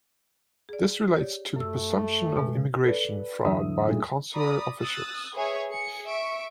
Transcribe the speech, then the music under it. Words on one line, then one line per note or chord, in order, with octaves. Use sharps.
This relates to the presumption of immigration fraud by consular officials.
G#4 D5
G4 C#5 D5
F#2 A3 E6
B2 G#3
A4 B4 D5
E2 D3 F#3 E5 D#6
G2 A#2 D#3 G#3 A3
D5 A#5 B5 D#6
D#6 E6 F#6 A6
G#4 B4 C#5 E5 G#5
G#4 C#7
E5 C#6 D7